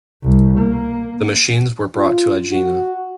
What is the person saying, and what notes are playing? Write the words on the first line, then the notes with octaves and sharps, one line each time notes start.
The machines were brought to Aegina.
C2
A#3
F4
F#4